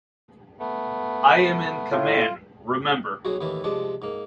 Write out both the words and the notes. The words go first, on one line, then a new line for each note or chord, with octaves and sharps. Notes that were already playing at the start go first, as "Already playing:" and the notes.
I am in command, remember.
A3 B3
A2 F4
B1 F#3 F#4 G#4
D#2 A2 E3 E4
C3 F3 G#3 D4
G#2 A#3